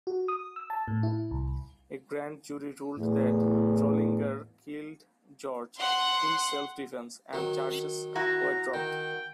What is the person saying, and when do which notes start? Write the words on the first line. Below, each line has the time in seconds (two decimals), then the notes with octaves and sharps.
A grand jury ruled that Trolinger killed George in self-defense, and charges were dropped.
0.07 F#4
0.28 D#6
0.56 E6
0.70 A5
0.88 A2
1.03 E4
1.31 C2
2.97 E2 A2
5.78 F#5 C6
7.33 D#3 F#3
8.15 E4 F#4 A#5
8.74 D#3 G5